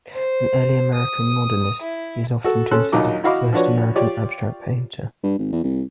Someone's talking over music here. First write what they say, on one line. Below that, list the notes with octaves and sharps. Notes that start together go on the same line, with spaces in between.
An early American modernist, he is often considered the first American abstract painter.
C5
D#6
E4
F#4 A4
C#4 A4 C6 F#6
A#1 D#2 F#3 D#4 D6
E4 F#4 D#5 F5 B5 D6
F3 D4 F#4 B4 C#5
F4 G4 C#5 D5
G2
G#1
E2
C2